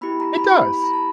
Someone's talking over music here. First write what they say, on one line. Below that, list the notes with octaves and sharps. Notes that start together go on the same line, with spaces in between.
It does.
B3 E4 G4 B5
A#5
B5
B5
B5
A#5
A5